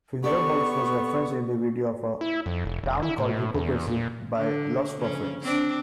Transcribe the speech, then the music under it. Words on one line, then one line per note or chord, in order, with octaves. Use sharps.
Fingerbobs was referenced in the video of "A Town Called Hypocrisy" by Lostprophets.
B3 G4 A4 D5 C#6
E4
F2
F1
F1
E4
A2
E2
A#2
D3
C#3 F3 C#4
C4 D4